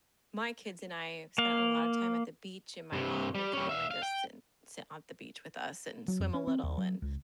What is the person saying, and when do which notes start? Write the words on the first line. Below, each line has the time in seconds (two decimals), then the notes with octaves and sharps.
my kids and I spent a lot of time at the beach, and my mom would come and just sit sit on the beach with us and swim a little and,
1.38 A#3 F5
2.93 G2 C3
3.35 G3
3.53 G3 C#4
3.69 E5 F5
3.91 F5
4.03 G5
6.08 F#3
6.20 F2
6.34 C#4
6.47 C4
6.63 D#2
6.78 F#3
7.02 C#2